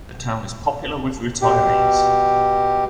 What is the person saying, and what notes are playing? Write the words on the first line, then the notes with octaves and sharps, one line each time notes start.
Like much of the south coast, the town is popular with retirees.
B2 G4